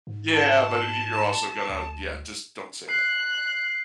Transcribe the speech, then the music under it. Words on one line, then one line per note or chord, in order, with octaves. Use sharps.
Yeah, but y you're also gonna yeah, just don't say
G#2
A5
D2
F#6 C7